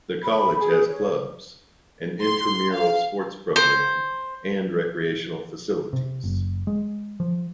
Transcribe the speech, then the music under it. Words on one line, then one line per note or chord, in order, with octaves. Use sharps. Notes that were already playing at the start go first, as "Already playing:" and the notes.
The college has clubs, an intramural sports programme and recreational facilities.
B5
G#4
C#5
C6
F5
C5
C3
F#1
G#3
F3